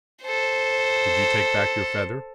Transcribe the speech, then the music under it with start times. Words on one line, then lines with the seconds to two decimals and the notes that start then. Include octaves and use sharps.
Did you take back your feather?
0.24 A4 C5